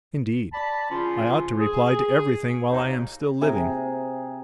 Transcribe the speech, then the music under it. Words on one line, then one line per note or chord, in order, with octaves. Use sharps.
Indeed, I ought to reply to everything while I am still living.
D5 A5 B5
C#3 F3 C#4 F4
G#4
D#2 B2 D#4
C3 G#4 A#5